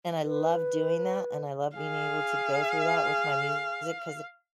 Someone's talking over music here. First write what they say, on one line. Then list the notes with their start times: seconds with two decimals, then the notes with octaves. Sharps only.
And I love doing that, and I love being able to go through that with my music, 'cause
0.24 B4
1.77 G#4 F5